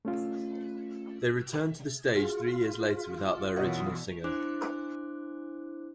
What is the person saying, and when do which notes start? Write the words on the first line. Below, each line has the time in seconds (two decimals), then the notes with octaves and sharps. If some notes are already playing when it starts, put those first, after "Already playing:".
They returned to the stage three years later without their original singer.
0.05 A3 C#4 F4
2.16 F4 F#4 G#4
3.56 B2 E3 F#4 A#4 C#5 D5 D#6
4.24 D4 E4 C5 D6 F#6